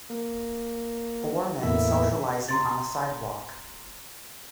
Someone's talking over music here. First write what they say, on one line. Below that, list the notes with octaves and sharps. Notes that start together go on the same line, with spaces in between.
Four men socializing on a sidewalk.
A#3
E2 A2 A#3 E4 E5
A#5 C6 A6